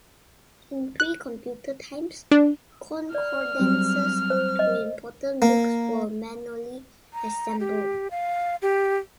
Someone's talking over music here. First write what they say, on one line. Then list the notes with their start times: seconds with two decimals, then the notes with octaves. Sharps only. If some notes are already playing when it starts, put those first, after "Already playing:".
In pre-computer times, concordances to important books were manually assembled.
1.00 F#6
2.31 D4
3.15 D5 F6
3.60 F#3 G3 C4
4.30 C5
4.59 D#5
5.42 A#3
7.13 A#5
7.60 G4
8.11 F5
8.62 G4